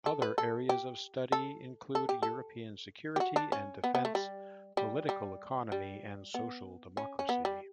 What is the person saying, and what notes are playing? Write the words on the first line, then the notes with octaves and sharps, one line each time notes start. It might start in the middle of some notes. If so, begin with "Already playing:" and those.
Other areas of study include European security and defence, political economy, and social democracy.
A4
B4
A4
G4
A4
A4
G4
A4
G4
F#4
D4
C#4
B3
B3
A3
G3
G3
G3
G3
B3
C#4
C#4
B3
G3